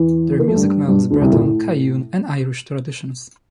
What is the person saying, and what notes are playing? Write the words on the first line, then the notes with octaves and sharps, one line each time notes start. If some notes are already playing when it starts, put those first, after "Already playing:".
Their music melds Breton, Cajun, and Irish traditions.
Already playing: E2 E3
A#3
A3
G2 G3
G2 G3
D2 D3
C2 C3
A#2
A2